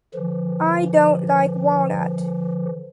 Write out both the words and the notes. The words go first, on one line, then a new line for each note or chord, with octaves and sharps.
I don't like walnut.
D3 E3 F3